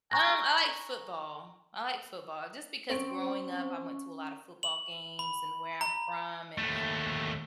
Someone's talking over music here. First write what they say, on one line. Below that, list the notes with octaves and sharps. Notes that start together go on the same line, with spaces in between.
Um, I like football. I like football just because growing up, I went to a lotta football games, and where I'm from and,
G#5 A#5 C#6 F#6 A#6
C4 C#4 C#6 D7
F#7
B5
A#5
D#2 A3